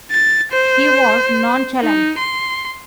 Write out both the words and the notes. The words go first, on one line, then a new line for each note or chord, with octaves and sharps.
He was nonchalant.
A6
C5
D#4
C6